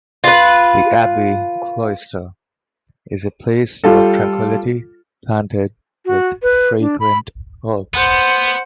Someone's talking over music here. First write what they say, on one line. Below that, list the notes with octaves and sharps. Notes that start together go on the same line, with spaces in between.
The abbey cloister is a place of tranquillity, planted with fragrant herbs.
F4 B4
G3 F4 A4
F#4
B4
D4
B5
B3 C5 F#5